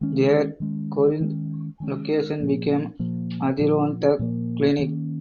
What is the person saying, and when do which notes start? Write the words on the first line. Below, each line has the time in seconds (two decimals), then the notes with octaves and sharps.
Their "Corinth" location became "Adirondack Clinic".
0.01 D#3 G#3 C#4
0.60 D#3 G#3 C#4
1.20 D#3 G#3 C#4
1.80 D#3 G#3 C#4
2.40 A#2 F3 A#3
2.99 A#2 F3 A#3
3.59 A#2 F3 A#3
4.19 A#2 F3 A#3
4.79 D#3 A#3 C#4